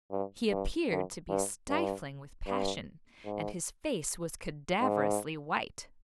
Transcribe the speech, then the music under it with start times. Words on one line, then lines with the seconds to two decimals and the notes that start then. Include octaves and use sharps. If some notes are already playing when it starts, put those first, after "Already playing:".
He appeared to be stifling with passion, and his face was cadaverously white.
0.11 G2
0.51 G2
0.90 F#2
1.29 G2
1.69 G2
2.47 G2
3.25 G#2
4.81 G#2